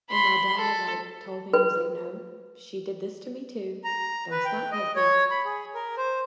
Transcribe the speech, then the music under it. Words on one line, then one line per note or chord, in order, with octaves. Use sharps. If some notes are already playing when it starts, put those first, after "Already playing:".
And my dad, like, told me, he was like, "No, she did this to me too. That's not healthy."
B5 C6
A4
B4
A#5
B4
G5
D#5
C#5
B5
G#4
A#4
C5